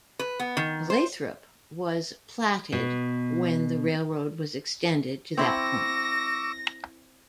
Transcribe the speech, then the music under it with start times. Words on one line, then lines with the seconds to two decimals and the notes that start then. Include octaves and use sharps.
Lathrop was platted when the railroad was extended to that point.
0.19 B4
0.40 B3
0.57 D#3
0.90 C5
2.72 B2
5.38 C4 E4 C#6 D6 E6 A#6